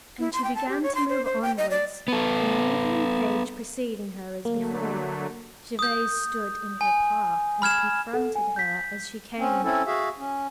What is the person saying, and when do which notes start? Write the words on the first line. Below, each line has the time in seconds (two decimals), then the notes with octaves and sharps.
And she began to move onwards, her Nubian page preceding her as before. Gervase stood in her path and confronted her as she came.
0.19 E4
0.33 C6
0.44 G5
0.55 A5
0.69 G4
0.83 C#5
0.95 C6
1.10 C5
1.25 C5
1.42 G5
1.58 D#5
1.71 D5
2.08 B3 A4
4.45 D3 F#3 A3 A#3
5.79 D#6 G6
6.81 G#5
7.62 B5 F6 G#6 E7
8.13 A4 F#5
8.35 G#5
8.56 G6 B6
9.38 C4 C#4
9.64 C4 C#4 E4 A4
9.87 F#4 G#4 E5 F5
10.18 C#4